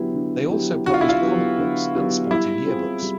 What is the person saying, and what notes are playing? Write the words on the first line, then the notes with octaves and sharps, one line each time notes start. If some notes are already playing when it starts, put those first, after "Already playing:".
They also published comic books and sporting yearbooks.
Already playing: D3 F#3 B3 E4 G4
D3
F#3 B3 E4 G4
D3 F#4
F4
E4
F4
F#3 B3 E4 G4
D3
F#3 B3 E4 G4
G3 E4
C4 F4 G#4
G3